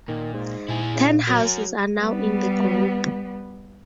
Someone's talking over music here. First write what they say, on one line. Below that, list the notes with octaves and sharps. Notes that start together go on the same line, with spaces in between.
Ten houses are now in the group.
A#2 D#3
G#2
A#2 E4 G#4
C#3
F#3 F#4 A#4
G3 B3